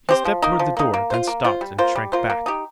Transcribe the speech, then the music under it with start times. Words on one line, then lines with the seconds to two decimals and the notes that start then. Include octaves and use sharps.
He stepped toward the door; then stopped and shrank back.
0.09 C4 G4 C5
0.25 F3
0.42 A#3 D#4
0.59 F3
0.77 A#3 D#4
0.94 A#3
1.10 F4 C5
1.27 A#3
1.44 F4 C5
1.61 G3
1.78 A#3 F4 C5
1.96 G3
2.12 A#3 F4 C5
2.30 A#3
2.46 D#4 G4